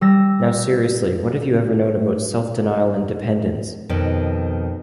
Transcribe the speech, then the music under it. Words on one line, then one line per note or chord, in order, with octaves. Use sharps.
Now seriously, what have you ever known of self-denial and dependence?
G3 E6 A#6
F2 B2 D#3